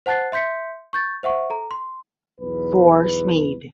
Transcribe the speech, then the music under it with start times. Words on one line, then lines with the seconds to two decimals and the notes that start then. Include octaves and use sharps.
For Smeed.
0.06 C5 F#5 A5 F#6 A6 C7
0.32 E5 C6 G6 B6 C#7
0.93 C#6 G6 A6
1.23 C5 E5 F#5 C#6
1.50 A4 A#5
1.71 C6
2.40 B1 E2 B4